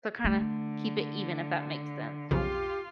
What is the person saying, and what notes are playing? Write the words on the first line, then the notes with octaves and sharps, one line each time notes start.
So, kinda keep it even if that makes sense.
D3 A3
B1 F2 C#3 F4 G4